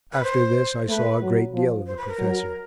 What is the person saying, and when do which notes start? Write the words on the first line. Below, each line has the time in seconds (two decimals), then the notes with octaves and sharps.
After this I saw a great deal of the professor.
0.13 B4
0.23 C5
0.88 A3 B4
1.22 F#3
1.54 F3
1.86 C5
1.97 B4
2.08 A#4
2.19 F#3